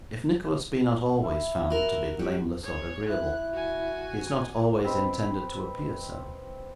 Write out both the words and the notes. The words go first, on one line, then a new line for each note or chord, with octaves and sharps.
If Nicholas be not always found to be blameless or agreeable, he is not always intended to appear so.
E4
F#4 A#4
G3 F#4
G#4 C#5
E4 F#6
F#4 G#5
C4 B4 D#5